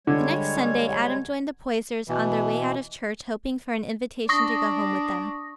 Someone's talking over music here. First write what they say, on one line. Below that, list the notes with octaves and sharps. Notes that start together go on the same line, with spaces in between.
THE next Sunday Adam joined the Poysers on their way out of church, hoping for an invitation to go home with them.
D3 G3 G#3 C#5
B2 E3
D4 C#6 D#6 A#6